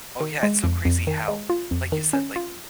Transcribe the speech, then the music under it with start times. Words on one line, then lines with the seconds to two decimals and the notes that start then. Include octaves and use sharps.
Oh, yeah it's so crazy how, like you said, like
0.20 D#3
0.43 G#3
0.64 F2
0.85 F2
1.07 D#3
1.28 G#3
1.50 F4
1.71 F2
1.92 D#3
2.13 C#4
2.36 F4